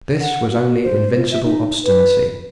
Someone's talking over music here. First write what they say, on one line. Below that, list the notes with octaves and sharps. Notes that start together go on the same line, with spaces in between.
This was only invincible obstinacy.
F#5
F#4
C5
F4
E5
D#4
B4